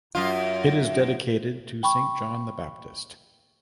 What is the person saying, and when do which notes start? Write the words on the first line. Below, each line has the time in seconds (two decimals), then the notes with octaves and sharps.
It is dedicated to St John the Baptist.
0.15 F#2 F4
1.83 G5 B5 C#6